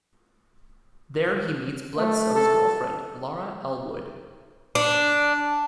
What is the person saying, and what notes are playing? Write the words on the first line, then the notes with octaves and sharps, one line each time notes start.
There he meets Bledsoe's girlfriend, Laura Elwood.
A3
A4
D4